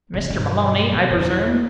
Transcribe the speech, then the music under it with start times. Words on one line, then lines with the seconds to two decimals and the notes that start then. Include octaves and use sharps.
"Mr. Maloney, I presume?"
0.14 C#3 D#4
0.30 G2 B2
0.92 B2
1.11 E2